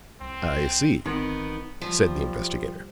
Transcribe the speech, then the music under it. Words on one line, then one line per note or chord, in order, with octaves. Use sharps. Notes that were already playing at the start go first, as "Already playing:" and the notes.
"I see," said the investigator.
C2 C4
G1 D#3 B3 C4 D#4
F3 G3